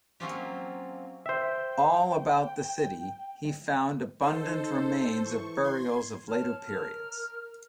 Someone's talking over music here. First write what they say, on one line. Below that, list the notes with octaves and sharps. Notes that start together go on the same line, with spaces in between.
All about the city he found abundant remains of burials of later periods.
F#3 A#3 C4 C#4 F4 G4
C5 E5 G5
D#4 A4 C5
E3 C#6
C6 G#6
C#5 A5 F6
A#4 F6